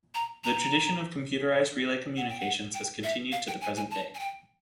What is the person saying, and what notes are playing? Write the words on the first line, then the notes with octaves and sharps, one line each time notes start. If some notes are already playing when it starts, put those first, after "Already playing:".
The tradition of computerised relay communications has continued to the present day.
A#5
A#5
F#5
G5
F#5
G5
E5
F5
G5
G#5
G#5
A5
G#5
G5